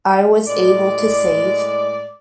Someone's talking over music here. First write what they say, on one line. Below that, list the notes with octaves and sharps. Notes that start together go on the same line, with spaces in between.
I was able to save.
A2 G#3 D5